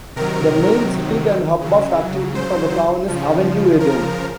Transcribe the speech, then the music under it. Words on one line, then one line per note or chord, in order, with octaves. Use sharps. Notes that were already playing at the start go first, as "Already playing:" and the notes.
The main street and hub of activity for the town is "Avenue Eden".
C3 D#3 F#3 A#4
C#3 F#3
C5
C#3 F3
A#4